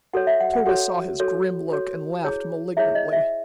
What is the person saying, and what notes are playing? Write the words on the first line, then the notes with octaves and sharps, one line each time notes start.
Tode saw his grim look and laughed malignantly.
F#4 A4 C#5 F#5
E5
F#5
F#5
F#4 A4 C#5 F#5
F#4 A4 C#5
F#4 A4 C#5
E4 G#4 C#5
E4 G#4 C#5 E5
D#5
E5